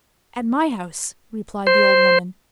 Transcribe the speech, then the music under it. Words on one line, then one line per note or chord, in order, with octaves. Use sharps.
"At my house," replied the old woman.
C5